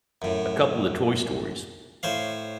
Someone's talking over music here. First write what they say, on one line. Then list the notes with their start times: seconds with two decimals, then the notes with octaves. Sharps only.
a couple of Toy Stories
0.22 F#2 A2
2.03 A2 C5 C#5 F5